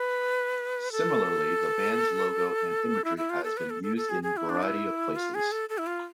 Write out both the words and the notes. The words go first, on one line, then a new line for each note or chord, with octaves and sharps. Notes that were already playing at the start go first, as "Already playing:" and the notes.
Similarly the band's logo and imagery has been used in a variety of places.
Already playing: B4
A4
E4
E4
F4
A4
B4
A4
A4
A4
G#4
G#4
E4
D4
E4
F4
G#4
A4
A4
E4
F4